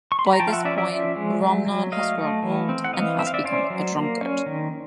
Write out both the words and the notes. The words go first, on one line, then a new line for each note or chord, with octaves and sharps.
By this point, Romnod has grown old and has become a drunkard.
C#6
C6
B5
A#5
F3 G5 A5
F5
E5 F#5
C#4 D5 E5
D5 E5
F3
G#3
F#3
F#3
A3 D#5 F5
A3
E3
C4
F#5
E3 D#5 F5
C4 E5
F5
D5 E5
C#4 C5 D5
F#3
A#3
C#4
D#3